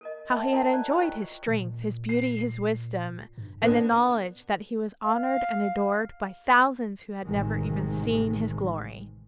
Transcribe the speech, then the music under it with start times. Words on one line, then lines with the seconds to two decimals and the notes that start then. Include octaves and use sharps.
How he had enjoyed his strength, his beauty, his wisdom, and the knowledge that he was honored and adored by thousands who had never even seen his glory!
0.01 A4 A#4 D#5
0.30 A#4 D#5 E5 G5 A5 C6
0.53 F4 A4 A#4 G5 A5 A#5
0.73 B4 C5 D5
0.88 E4 D#5 G5 E6
1.00 F4 C5 C#6
1.47 A#2
2.09 C7
3.38 G2
3.62 A2 A#3 B3 D4
5.05 F5
7.25 A1 C3 D#3 G#3